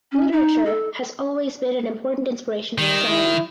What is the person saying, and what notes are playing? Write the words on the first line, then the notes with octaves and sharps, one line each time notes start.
Literature has always been an important inspiration for Sion.
C#4
D#4
A4
D#3 G3
E4